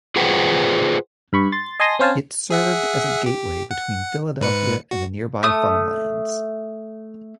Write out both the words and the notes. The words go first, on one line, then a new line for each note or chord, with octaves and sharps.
It served as a gateway between Philadelphia and the nearby farmlands.
F4 G#4 B4 C5 F#5 G5
G2 B5 C#6
C6 A6
D#5 G#5 A5 C6 D#6 A#6
C4 C#4 C5 F5 G#5 A5
G#4 E5 F#5
G4
F#5
G#2 B4 C#7
F#4
A3 D#6